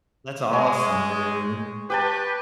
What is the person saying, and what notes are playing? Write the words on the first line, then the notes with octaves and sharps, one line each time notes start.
That's awesome, dude.
G#3 C#5 G#5
G4 B4 G5 A5